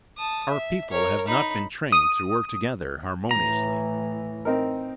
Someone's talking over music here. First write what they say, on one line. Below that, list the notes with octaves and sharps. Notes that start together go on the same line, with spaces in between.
Our people have not been trained to work together harmoniously.
A5 D#6
E5
A#4 C#5
D#4 B5
D#6
A2 E3 A#5
C4 D#4 A#4